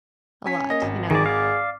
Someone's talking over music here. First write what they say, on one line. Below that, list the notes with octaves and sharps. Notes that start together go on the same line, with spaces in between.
a lot, you know?
C#4 G#5 B6
A#3 D#5 A#6
G#1
D#3 G#4 D5
D5 F5